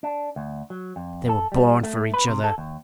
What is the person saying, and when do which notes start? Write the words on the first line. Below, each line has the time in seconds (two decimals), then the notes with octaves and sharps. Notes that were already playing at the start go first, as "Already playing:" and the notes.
They were born for each other.
0.03 D4
0.36 D2
0.70 F#3
0.96 F2
1.29 A4
1.52 G3
1.83 A3
2.14 B4
2.27 C3
2.44 A4
2.58 D#2